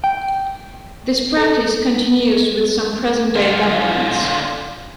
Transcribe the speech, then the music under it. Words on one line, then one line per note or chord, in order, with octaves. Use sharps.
This practice continues with some present day governments.
G5
A4
D3 F4